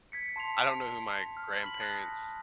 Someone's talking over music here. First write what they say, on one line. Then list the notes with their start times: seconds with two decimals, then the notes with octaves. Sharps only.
I don't know who my grandparents'
0.12 G#6 B6 C#7
0.36 A5 C6 C7 F7
1.37 F6
1.63 B5 B6 F#7
1.81 A5 D#6 F#6 G#6 A#6